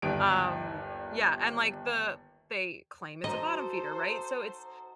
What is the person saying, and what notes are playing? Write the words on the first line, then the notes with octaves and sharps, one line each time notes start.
um yeah, and like the they claim it's a bottom feeder, right, so it's
G1 D#2 G3 D7
F#3 D#4 A4 C5 D#5